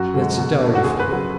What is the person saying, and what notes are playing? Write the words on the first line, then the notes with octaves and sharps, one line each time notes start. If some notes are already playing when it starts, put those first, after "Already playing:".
That's a dowry for you.
Already playing: F#2 F#4
D3 G#3
B2
A3 D4
F#4
D2 G#4
B4
C#3 F#3